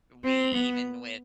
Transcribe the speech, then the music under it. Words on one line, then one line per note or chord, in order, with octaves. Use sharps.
we even with,
C4
B3